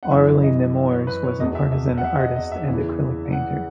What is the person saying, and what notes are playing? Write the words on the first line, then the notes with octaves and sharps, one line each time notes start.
Aurelie Nemours was a partisan artist and acrylic painter.
F#5
F#2 E3 E5
D#5
C#5
B4
C#5
E2 B2 D#5
E5
E5
E5
F#5
E5
D#5
D#5
E5
E2 C#3 E3
F#5